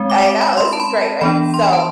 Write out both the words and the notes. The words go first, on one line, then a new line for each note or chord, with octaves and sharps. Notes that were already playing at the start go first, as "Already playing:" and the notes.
I know, this is great, right? So,
Already playing: G#3 C4
D6
D6
B5
C6
B5
A5
B5
E3 B3 D4 B5
C6
B5
A5